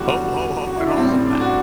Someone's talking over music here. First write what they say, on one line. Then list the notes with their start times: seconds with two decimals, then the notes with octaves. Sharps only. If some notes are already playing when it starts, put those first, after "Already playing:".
"Ho! Ho! Ho!" and all of that,
Already playing: E2 D3 G3 F#4 G4
0.67 F#4
0.77 E4
0.87 D4
0.96 A2 G3 C4
1.12 C4
1.26 D4
1.41 F#4